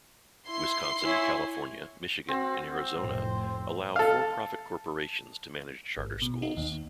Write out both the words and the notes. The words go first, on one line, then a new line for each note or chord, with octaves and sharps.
Wisconsin, California, Michigan, and Arizona allow for-profit corporations to manage charter schools.
E4 C6 C7
E4 C#5 G#5
C4 F#4
F1 A2 C5
A4 F5
G#1
B2
D#4
D#2